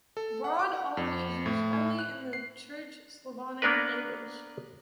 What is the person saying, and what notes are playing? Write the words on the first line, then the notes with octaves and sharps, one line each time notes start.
Broad On is used only in the Church Slavonic language.
A4
F#5
D6
F#5
F2
A2
A2
F#6
C7
A#3 B3 D4 A#4 B4